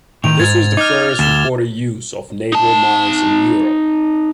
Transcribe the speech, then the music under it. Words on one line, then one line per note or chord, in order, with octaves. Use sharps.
This was the first reported use of naval mines in Europe.
A2 D#3 F7
G#2 G#6 A6
D#4 D6 F6
D2 A6 E7 G7
D#4 A5